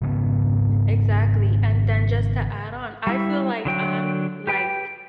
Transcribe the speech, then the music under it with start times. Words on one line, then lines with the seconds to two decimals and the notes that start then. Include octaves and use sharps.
exactly. And then just to add on, I feel like I'm, like,
0.02 G#1 G#2 C#3 B3
3.07 G3 E4
3.65 D3 F#3 G5
4.47 G4 B4 G5